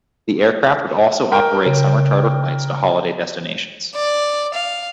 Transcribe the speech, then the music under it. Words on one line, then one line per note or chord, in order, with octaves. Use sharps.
The aircraft would also operate summer charter flights to holiday destinations.
A#4 G5
C#3
D5
F5